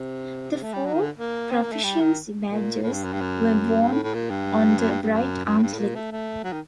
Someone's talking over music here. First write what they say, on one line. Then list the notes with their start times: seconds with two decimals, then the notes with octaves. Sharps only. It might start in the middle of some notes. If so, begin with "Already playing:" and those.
The four "proficiency" badges were worn on the right arm sleeve.
Already playing: C3
0.51 C3
0.63 A3
0.74 G3
0.85 F#3
0.94 D#3
1.01 D3
1.18 A#3
1.51 C4
1.62 A#3
1.72 A3
1.84 G3
2.00 D#3
2.50 A#2
2.82 A2
2.93 G2
3.04 F#2
3.13 G2
3.21 F#2
3.81 G2
3.93 A2
4.03 A2
4.14 A#2
4.30 G2
4.79 F#2
4.91 G2
5.02 G2
5.13 F#2
5.46 F#2
5.58 A2
5.62 G2
5.74 A2
5.78 A#2
5.95 A3
6.12 A3
6.44 F#3
6.52 D#3